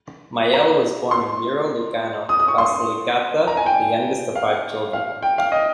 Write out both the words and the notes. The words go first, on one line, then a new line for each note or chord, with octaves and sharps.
Majella was born in Muro Lucano, Basilicata, the youngest of five children.
A#5
C6
D#6
D#6
C#6
C6
A#5
G#5
G5
F5
F5
G5
F5
D#5